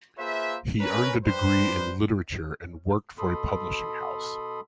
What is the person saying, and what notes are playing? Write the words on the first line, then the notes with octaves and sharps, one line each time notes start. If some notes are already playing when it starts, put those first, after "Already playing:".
He earned a degree in literature and worked for a publishing house.
A#3 F4 G#4 B4 C5 E5
C#4 A#4 B4
G3 D4 B4 C5
B2 A4 B5 C6 D#6